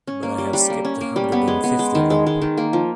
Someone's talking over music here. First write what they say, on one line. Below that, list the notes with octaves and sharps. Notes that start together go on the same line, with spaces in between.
But I have skipped a hundred and fifty of them.
C#4
A#3
G3
G3
A#3
C#4
A#3
G3
B3
G#3
B3
G#3
D#3
G#3
G#3
D#3
A#3
F3